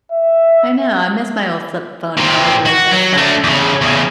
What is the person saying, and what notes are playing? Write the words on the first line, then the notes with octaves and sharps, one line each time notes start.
I know, I miss my old flip phone, my old razor phone.
E5
A#2 C4
F#4
F#3
A3 D4
E2 C#3
E2 C#3